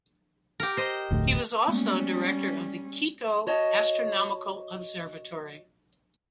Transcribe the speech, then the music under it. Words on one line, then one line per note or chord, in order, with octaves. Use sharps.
He was also director of the Quito Astronomical Observatory.
G4 A#4
C5 D#5
F1 D2 A2
G3 G#3 A#3 B3 C#4
F#4 C#5 D#5 A5